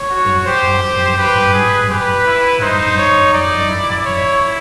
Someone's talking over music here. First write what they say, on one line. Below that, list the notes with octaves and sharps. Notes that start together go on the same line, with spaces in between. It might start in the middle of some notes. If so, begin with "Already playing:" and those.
it is hard to maintain and to try to introduce it into my regular talking
Already playing: C#5
F#4
G4 C5
G4
G4 B4
G#4
G4 B4
E4
D#4 C5
C#5
D#4 D5
E4
C#5